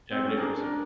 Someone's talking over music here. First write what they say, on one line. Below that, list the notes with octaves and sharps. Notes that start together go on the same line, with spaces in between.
Jack Nicholson.
C4
C#4
D4 G#4 A#4
A#4